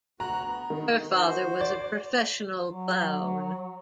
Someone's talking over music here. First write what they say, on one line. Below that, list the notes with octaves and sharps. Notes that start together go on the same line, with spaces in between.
Her father was a professional clown.
D2 F#4 A#5 F#6
B3
D#3
F#4 C5
D5
F#3